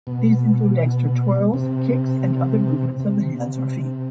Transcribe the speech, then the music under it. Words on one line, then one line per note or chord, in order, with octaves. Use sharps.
These include extra twirls, kicks, and other movements of the hands or feet.
B2
C3
C3